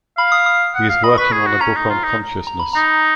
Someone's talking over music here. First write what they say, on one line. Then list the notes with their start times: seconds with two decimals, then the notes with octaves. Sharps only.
He is working on a book on consciousness.
0.17 F5 B5
0.32 D#6
0.46 D#6
0.75 F#5
0.89 F5
1.04 D#5 B5
1.18 B4 C#6
1.32 G#4
1.47 F#4
1.61 C#4 A#5
1.76 D#4
1.90 F4
2.04 D#4
2.47 A#5
2.60 B5
2.73 D#4 A#5